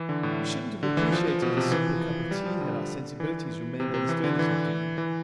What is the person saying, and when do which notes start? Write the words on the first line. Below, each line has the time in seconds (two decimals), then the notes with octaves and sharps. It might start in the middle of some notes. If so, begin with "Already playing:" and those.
We shouldn't have appreciated this simple cup of tea had our sensibilities remained unstirred this afternoon.
Already playing: E3
0.09 D3
0.23 A2
0.83 D3
0.97 E3
1.12 F3
1.28 F3
1.42 B2
1.57 C3
1.72 E3
1.86 F3
2.31 G3
2.46 F3
2.61 D3
3.20 E3
3.80 C3
3.94 C3
4.09 E3
4.24 D3
4.39 E3
4.98 E3